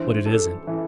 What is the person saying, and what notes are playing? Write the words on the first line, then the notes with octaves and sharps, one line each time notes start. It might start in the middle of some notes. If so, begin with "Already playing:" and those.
But it isn't.
Already playing: G2 E3 C5
A4
E3